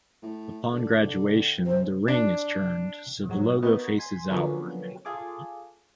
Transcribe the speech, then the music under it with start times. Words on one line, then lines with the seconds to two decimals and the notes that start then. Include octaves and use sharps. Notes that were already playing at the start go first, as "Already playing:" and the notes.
Upon graduation, the ring is turned so the logo faces outward.
0.23 A2
0.72 D3
1.66 F#2 C5
2.08 D4
3.29 G#2 F#3
3.62 A#3 B3 D#4 F#4
3.97 G#5 C6 B6
4.30 D3 F3 F#3 A#3 B3 C#4
5.05 F4 G#4 A4 D6